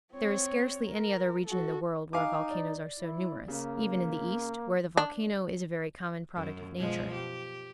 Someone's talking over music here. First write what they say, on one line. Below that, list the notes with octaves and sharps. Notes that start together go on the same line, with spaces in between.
There is scarcely any other region in the world where volcanoes are so numerous, even in the East, where the volcano is a very common product of nature.
C4 C#5
A#4
F#4 A4
D#4 F5 G#5 D6
D5
E4
C#3 A#3
D4
F#2
B2 F3 G#3
G4